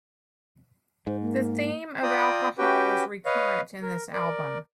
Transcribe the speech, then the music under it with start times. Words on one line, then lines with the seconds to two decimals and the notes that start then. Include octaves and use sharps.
The theme of alcohol is recurrent in this album.
1.07 G#2 C5
1.20 A#3
2.03 F4 D5 G5 A#5 D#6
2.58 C#4 F#4 G4 B4 G5
3.26 B4 C#5 D#5 F5
3.82 A#4
4.13 A#4 D5